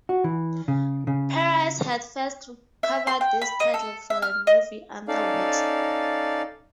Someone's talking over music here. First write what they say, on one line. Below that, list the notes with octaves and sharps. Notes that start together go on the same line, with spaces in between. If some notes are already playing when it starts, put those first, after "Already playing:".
Perez had first covered this title for the movie Underwater!
F#4
E3
C#3
C#3
E5
C6
G5
B5
D#5
A4
E5
F6
D#5
C#4 D#4 A4 D5 F5